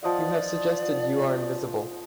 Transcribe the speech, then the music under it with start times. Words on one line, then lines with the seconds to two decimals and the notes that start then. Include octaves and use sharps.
You have suggested you are invisible.
0.03 F3 D5 D#5 F#5